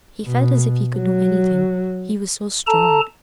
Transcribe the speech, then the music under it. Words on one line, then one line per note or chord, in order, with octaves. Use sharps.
He felt as if he could do anything, he was so strong.
B2
F#3
A4 A5 A#5